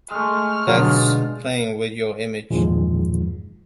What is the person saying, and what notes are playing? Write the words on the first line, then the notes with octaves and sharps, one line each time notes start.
That's playing with your image.
G#3 A3 F6
G#2 B2 D3 F#3 F4
E2 G2 A#2 D#3 F3 G#3